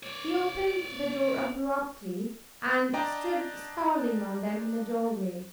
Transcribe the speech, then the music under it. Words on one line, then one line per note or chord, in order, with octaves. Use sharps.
He opened the door abruptly and stood scowling on them in the doorway.
C#5 D5
D4 D5 D#5 G5 A#5